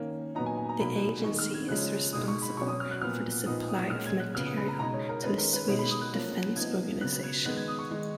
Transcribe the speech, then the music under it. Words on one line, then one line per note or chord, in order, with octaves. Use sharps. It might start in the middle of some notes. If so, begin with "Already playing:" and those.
The agency is responsible for the supply of materiel to the Swedish defence organisation.
Already playing: D#3 A#3 C#4
A#2 F#3 B3 D#4 A#5
G#5
G#5
A#5
B2 F#3 A#3 D#4 B5
D#3 G#3 D#4 C#6
F6
G#6
C#3 F3 G#3 C#4 F#6
B2 G#3 D#4 D#6
C#6
B5
B2 F#3 C#4 C#6
D#6
F6
F#6
A#2 F3 B3 F6
A#2 F3 B3 D#4 D#6
D#6
A#2 G#3 C#4 F6
G#6
F#6
C#3 F3 B3 F6
D#6
B5
A#5
B2 G#3 D#4 A#5
C#5
A#4
D#3 G#3 C#4 B4
A#4
B4
B2 G#3 B3 D#4 C#5
B5
D#6
F#6
F3 A#3 C#4
F3 B3 D#4 G#6
C#3 F#3 B3 F#6
G#6
D#3 G#3 B3 F#6
G#6
D#6
C#6
D#3 G#3 D#4